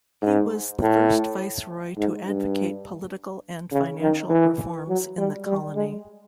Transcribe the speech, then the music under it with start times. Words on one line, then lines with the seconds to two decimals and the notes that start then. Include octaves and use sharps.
He was the first viceroy to advocate political and financial reforms in the colony.
0.22 G#2
0.81 A2
1.97 G#2
2.27 G2
3.72 C#3
4.01 D#3
4.30 E3
4.88 F#3
5.18 G3
5.46 G3
5.75 G#3